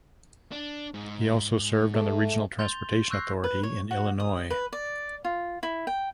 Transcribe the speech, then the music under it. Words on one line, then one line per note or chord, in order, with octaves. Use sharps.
He also served on the Regional Transportation Authority in Illinois.
D4
G#2
A3
C6 G6 A6 F7 G7
C#6 E6 F#6 G6 A#6 C7
B4
C#5
F#4
D#6
B4
D5
F4
E4
G5